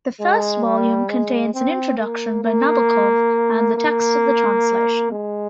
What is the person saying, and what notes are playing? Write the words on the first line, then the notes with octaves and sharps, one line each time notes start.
The first volume contains an introduction by Nabokov and the text of the translation.
G#3
G3
G#3
C4
A#3
A#3
A#3
G#3